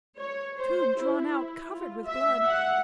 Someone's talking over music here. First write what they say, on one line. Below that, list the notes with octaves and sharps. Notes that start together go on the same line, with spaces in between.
Tube drawn out covered with blood.
C#5
C5
E4
F4
E5
F#5